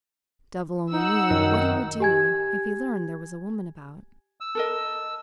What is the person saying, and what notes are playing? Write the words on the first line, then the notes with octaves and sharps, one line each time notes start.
Devil only knew what he would do if he learned there was a woman about.
D#4 F#5 E6
F#2 D#3
G4 G#5 G#6
E6
A4 A#4 D#5